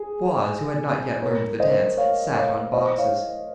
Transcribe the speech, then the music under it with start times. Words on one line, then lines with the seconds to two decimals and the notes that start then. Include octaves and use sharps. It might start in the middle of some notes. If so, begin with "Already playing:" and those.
Squaws, who had not yet learned the dance, sat on boxes.
Already playing: G#4
1.22 A#4 C#5
1.60 C5 D#5
1.97 C#5 F5
2.36 C#5 F5
2.73 C5 D#5
2.98 C#5 F5